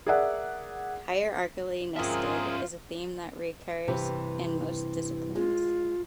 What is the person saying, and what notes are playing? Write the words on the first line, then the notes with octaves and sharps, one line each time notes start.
"Hierarchically nested" is a theme that recurs in most disciplines.
G#4 A#4 D5 E5 F#5
C4 C#4 F4 G#4 A#4 E5
G2 C3 E3
G#3 F4